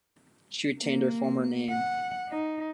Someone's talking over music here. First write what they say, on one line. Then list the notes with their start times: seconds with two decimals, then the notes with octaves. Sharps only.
She retained her former name.
0.79 A#3
1.70 F#5
2.29 D#4